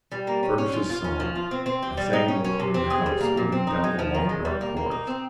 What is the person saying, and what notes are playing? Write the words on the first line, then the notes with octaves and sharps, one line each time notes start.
Fergus' song: I sang it alone in the house, holding down the long dark chords.
G3
A#3
C#4
C#4
F4
F4
C#4
F3
F4
C4
C4
G4
G3
D#4
C#4
C#4
C3
C4
G#4
G3
A#3
A#2
C4
D#4
G#3
F3
D#3
G#3
G3
A#3
A#3
D#4
C4